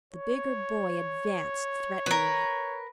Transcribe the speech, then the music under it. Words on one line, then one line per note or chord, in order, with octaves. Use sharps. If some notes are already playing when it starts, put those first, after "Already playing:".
The bigger boy advanced threateningly.
C#5
A#4 B4